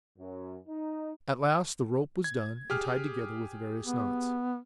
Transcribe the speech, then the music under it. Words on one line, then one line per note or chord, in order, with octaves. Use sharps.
At last the rope was done and tied together with various knots.
F#2
D#4
G#6
G4 G#4 F6
B3